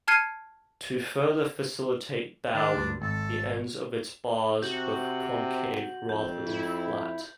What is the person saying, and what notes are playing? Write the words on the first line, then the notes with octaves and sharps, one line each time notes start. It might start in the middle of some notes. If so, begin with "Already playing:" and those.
To further facilitate bowing, the ends of its bars were concave rather than flat.
A5 F6 G#6 C7 C#7 D#7
D#3 D4 A#4
D2 G2
G#1 A4
C3 F#4 G6 F#7
F2 G6
E4